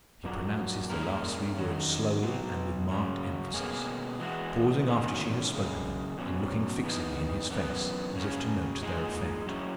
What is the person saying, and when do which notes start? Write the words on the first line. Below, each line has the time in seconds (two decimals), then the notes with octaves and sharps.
She pronounces the last three words slowly and with marked emphasis, pausing after she has spoken them, and looking fixedly in his face, as if to note their effect.
0.24 A#2 F#3 A#3
0.90 A#2 G#3 C#4 E4 A#4
1.56 D#3 F#3 C#4
2.22 B2 F#3 B3
2.88 C#3 F#3 C#4
3.54 B2 A#3 C#4 G#4
4.20 E3 G#3 B3 F#4
4.86 E2 D#3 F#3 A#3 C#4
5.52 F#2 C#3 G#3
6.17 B2 F#3 C#4
6.83 E3 B3 D#4
7.49 F#2 E3 B3
8.15 C#3 F#3 A#3 C#4
8.81 A#2 G#3 D#4 G#4
9.46 F#3 C#4 E4